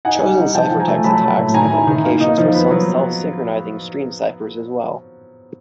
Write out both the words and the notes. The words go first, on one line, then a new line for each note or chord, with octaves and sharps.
Chosen-ciphertext attacks have implications for some self-synchronizing stream ciphers as well.
D#4 F#5 G#5
G3
D#4
F3 G5 A5
F3
G#5 A#5
A3
F#3 A5 B5
F#3
A2
D#3 G#5 A#5
E4
D#3
A#3
D#4
F3
B3
F#3